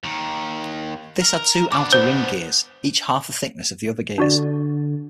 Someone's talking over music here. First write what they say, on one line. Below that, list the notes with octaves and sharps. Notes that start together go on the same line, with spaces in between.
This had two outer ring gears, each half the thickness of the other gears.
D#2 D#3
A#4
B3 D4 D6
C5
D3 D4 F#4 D5